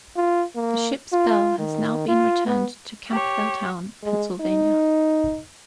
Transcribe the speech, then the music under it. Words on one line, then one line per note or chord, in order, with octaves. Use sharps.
The ship's bell has now been returned to Campbelltown, Pennsylvania.
F4
A#3
F4
D#3
F4
B3
G4 C#5
G#3
D#4